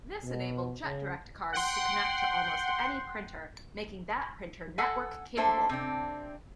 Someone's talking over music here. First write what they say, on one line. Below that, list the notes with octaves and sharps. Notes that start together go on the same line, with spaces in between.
This enabled Jetdirect cards to connect to almost any printer, making that printer network-capable.
B2
C#3
F#5 G5 C6
A4 F#5 G#5
A3 A#3 D4 A4 C5 E5
C3 C4 D4